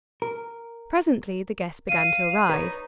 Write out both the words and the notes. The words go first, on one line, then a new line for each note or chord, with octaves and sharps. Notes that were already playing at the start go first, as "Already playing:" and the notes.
Presently the guests began to arrive.
A#4
F5 D#7
D#4 B4 C#5